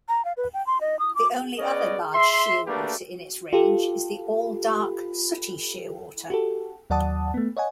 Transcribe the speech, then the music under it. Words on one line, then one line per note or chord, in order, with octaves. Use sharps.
The only other large shearwater in its range is the all-dark sooty shearwater.
A#5
F5
B4
G5
C6
D#5
D#6
D6
B3 C#4 D5 D#5
E5 C6
A3 A#3 D4 G4 B4
F4 G4 A4
F#4 G4 A4
D#2 F#3 D5 F#5 A5 D#6
A3 B3
C#5 D#5 F#5 G#5